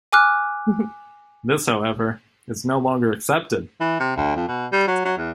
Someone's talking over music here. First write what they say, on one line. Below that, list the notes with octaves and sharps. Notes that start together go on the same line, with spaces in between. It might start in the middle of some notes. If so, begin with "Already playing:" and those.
This, however, is no longer accepted.
G#5 D6 F6 F#6
E3
C3
D2
F2
B2
G3
F#3
F#3
E2